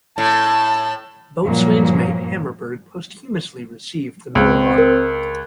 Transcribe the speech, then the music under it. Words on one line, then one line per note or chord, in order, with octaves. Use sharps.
Boatswain's Mate Hammerberg posthumously received the Medal of Honor.
A2 A5
G2 A#2 F3 F#3 A#3
C#2 C4
A#4